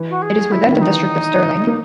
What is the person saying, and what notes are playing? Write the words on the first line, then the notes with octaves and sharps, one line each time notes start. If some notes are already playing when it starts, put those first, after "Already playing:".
It is within the district of Stirling.
Already playing: E3
F#4
G#4
E4
D#3 E4
E3 D#4
A#3